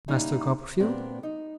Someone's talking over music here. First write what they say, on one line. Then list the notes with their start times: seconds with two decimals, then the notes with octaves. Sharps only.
'Master Copperfield?'
0.08 G3 A#3 C#4 D#4 E4
0.80 A#2 B3 C4 D4
1.23 D#4